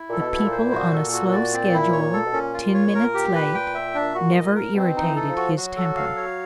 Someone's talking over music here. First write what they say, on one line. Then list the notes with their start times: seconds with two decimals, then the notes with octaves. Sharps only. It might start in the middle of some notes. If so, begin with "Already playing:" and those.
The people on a slow schedule, ten minutes late, never irritated his temper.
Already playing: E4
0.09 A#2 A4
0.19 B2
0.32 E4
0.45 A#2
0.51 C5
0.72 F#4
0.93 A4
1.13 F#4
1.32 D5
1.52 C4
1.74 E4
1.93 C#5
2.13 A4
2.26 B2
2.33 A#2 C#4
2.54 F4
2.74 C#5
2.95 A#4
3.14 G4
3.35 B4
3.55 G5
3.75 E5
3.95 D4
4.15 F#4
4.35 D#5
4.55 A#4
4.75 B2 C4
4.96 D#4
5.03 E3
5.16 A4
5.29 F3
5.37 F#4
5.56 F#3 F#4
5.76 A4
5.96 F5
6.17 C#5